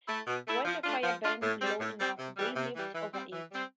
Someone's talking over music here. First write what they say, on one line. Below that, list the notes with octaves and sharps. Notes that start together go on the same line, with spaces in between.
When the fire burned low enough, they leaped over it.
A3 E4
B2
A3 E4
F3
A3 D4 F4
F3
A3 D4 F4
A2
G3 C4
A2
G3 C4
C3
E3 G3
C3
E3 G3
E3
G3 C4
E3
G3 C4